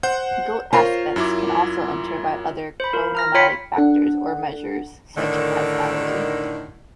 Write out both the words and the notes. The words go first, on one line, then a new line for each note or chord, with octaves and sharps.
Goat aspects can also enter by other chronomantic factors or measures, such as hourly.
C5 F#5 G6
F4 A#4 C5 C#5 C7
F#2 E4 D6
C5 B5
F4 A#4
A#5 F6 A#6
F4 C#5 G5 B5 B6 C#7
D4 A4 F#5
A2 D3 D#3